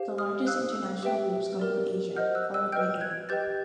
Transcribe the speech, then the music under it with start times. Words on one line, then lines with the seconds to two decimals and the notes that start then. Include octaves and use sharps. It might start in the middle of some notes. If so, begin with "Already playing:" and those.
The largest international groups come from Asia, followed by Europe.
Already playing: G4 C5 F5
0.18 D#6 F6
0.47 C5 F5 E6 F#6
1.03 G4 B4 E5 G5
1.60 G4 A#4 D5
2.16 C5 D#5 F#5 F6 G6
2.35 E6 F#6
2.54 E6 F#6
2.72 B4 D#5 G5 F6 G6
3.00 F#6 G#6
3.29 G4 B4 D#5 G5 G6 A6